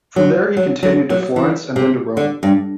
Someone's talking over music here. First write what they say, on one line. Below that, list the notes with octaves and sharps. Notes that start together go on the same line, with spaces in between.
From there he continued to Florence and then to Rome.
F#3
F#3
F#3
F#3
E3
C3
D3
G2